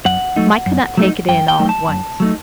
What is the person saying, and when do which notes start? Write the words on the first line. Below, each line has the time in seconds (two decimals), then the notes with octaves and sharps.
Mike could not take it in all at once.
0.05 F#2 F#5
0.36 F#3 A3 D#4
0.66 F#2
0.97 F#3 A3 D#4
1.28 F#2 G5
1.48 G5
1.59 F#3 A3 D#4
1.69 A5
1.89 F#2
2.20 F#3 A3 D#4